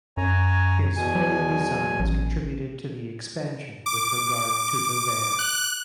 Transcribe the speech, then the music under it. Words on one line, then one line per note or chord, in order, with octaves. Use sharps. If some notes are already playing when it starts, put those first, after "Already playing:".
His further designs contributed to the expansion with regard to the there.
F#2 C#5 G#5 A#5
E2 B2 G#5
F#3
A1
D6
F#6